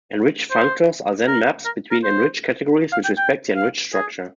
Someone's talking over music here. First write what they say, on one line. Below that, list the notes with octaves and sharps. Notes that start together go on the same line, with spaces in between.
Enriched functors are then maps between enriched categories which respect the enriched structure.
C5
A#4
A#4
A#4
C5
F5
G5
G5
F5
G#4